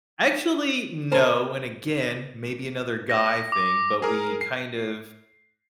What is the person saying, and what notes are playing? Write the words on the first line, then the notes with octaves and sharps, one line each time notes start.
Actually, no, and, again, maybe another guy thing, but we kind of,
A#4 C5 A5
A#6
D6
G#4 A#4
C7